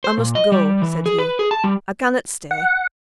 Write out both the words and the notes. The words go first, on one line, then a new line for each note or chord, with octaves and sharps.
'I must go,' said he, 'I cannot stay.
C5
A#2
D#5
G3
E3
G#4
B4
G#4
A5
G3
F#5